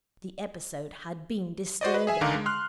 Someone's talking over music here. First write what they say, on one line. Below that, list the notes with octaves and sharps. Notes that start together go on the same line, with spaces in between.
The episode had been disturbing.
F#4 C5 D5 D#5
B4
G#4 E5 G#5
C#2 D3 D#3 A#4 F5 D6
G#3
C6 F6 F#6